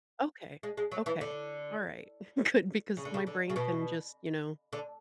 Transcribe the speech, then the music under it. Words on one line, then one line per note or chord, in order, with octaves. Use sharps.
Okay, okay, all right, good, because my brain can just, you know,
G#3
G#3
F#3
E3
D3
C#3
D3
C#3
D3
C#3
B2
D3